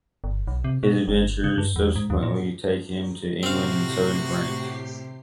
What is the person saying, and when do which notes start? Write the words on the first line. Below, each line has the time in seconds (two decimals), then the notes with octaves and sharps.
His adventures subsequently take him to England and Southern France.
0.24 G1
0.47 B1
0.64 C3
0.83 B2
1.08 G1
1.44 C#3
1.58 G2
1.76 E2
1.96 G#2
2.10 D#2
2.23 A#2
3.43 A2 C3 C4 F#4 G4 F5 C7